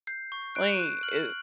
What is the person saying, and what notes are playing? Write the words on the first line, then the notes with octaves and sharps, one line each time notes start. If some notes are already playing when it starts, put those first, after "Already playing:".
Wait, is
G6 C7
C#6
F#6 D7
F#6
F6 F#7